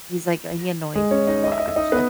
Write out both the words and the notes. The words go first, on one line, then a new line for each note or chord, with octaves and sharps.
He's like, uh he annoys me a lot, actually.
G#3 G#4
C#4 C#5
D#4 D#5
D#5
E5
D#5
E5
D#4 D#5
B3 B4